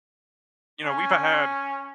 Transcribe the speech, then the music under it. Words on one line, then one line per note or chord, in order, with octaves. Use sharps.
you know, we've, uh, had
C#4